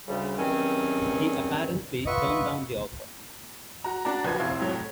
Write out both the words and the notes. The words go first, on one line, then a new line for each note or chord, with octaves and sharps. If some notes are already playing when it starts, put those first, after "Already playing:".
He apparently turned down the offer.
D2 C#3 G3
E2 G2 D#3 F#3 C4 C#4
F4 B4 D#5 E5 F#5 C#6
F#4 A#5
D4 F#4 D5 A5 A#5
F#1 F3 F#4 B4 G#6
F1 C3 E4 F5 C6
F2 A2 F#3 A4
A3